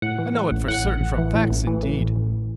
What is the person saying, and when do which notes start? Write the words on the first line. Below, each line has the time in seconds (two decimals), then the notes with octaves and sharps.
I know it for certain from facts, indeed.
0.02 A2 F#5
0.18 E3
0.35 A2
0.51 A1
0.68 A2 F#5
0.85 A1
1.00 A1
1.18 E3
1.35 A2
1.51 A1
1.67 E3
1.83 A2
2.00 A1
2.16 A1